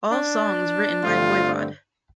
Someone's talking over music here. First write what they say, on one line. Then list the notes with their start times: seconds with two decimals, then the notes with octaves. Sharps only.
All songs written by Voivod.
0.11 D4
1.02 G2 D3 A3 C4 F4